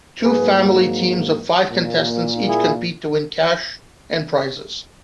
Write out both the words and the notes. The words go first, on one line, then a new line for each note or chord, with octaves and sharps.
Two family teams of five contestants each compete to win cash and prizes.
G#2 F#3 A#3 G#4 B4
A#2 A#3
E4 G#4